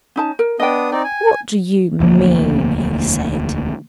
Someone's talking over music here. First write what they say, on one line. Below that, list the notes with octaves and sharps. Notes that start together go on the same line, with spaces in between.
'What do you mean?' he said.
C#4 D#4 A5
A#4
B3 D4 D#5 G5 D#6
C4 D#4 D5 G5
G#5
E1 D2 F3 A#3